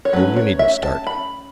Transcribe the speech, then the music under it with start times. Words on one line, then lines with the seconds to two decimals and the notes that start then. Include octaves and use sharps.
Oh, you needn't start!
0.05 C#5
0.13 F#3 A3 C#4 B4
0.36 C#5
0.59 E5
0.83 A5
1.07 B5